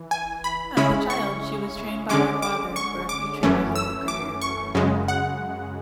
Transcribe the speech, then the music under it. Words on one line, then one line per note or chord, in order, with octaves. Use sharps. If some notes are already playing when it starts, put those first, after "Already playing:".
As a child, she was trained by her father for a future musical career.
Already playing: E3
G#5
B5
C#3 G#3 C#4 E4 B5
C#6
D3 G#3 C#4 D6
D6
C#6
D6
F#2 E3 A3 C#4
E6
D6
C#6
F#2 C#3 G#3
F#5